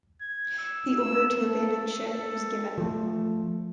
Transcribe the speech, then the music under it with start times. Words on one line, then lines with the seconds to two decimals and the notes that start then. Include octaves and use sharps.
The order to abandon ship was given.
0.21 G#6
0.58 E6
0.97 E6
1.41 A4
2.08 A4
2.78 F3 A3